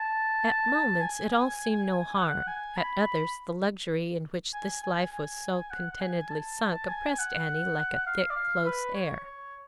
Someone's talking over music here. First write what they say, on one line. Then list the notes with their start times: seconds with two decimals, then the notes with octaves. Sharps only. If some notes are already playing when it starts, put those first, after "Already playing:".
At moments it all seemed no harm; at others, the luxury in which this life was so contentedly sunk oppressed Annie like a thick, close air.
Already playing: A5
1.01 G#5
2.18 F#5
2.47 G#5
2.77 B5
4.53 G#5
4.83 G#5
5.12 G#5
5.71 F#5
5.91 F#5
6.00 G#5
6.29 A5
6.89 G#5
7.19 F#5
8.07 F5
8.30 D5
8.36 F5
8.65 B4
8.95 C#5
9.24 C#5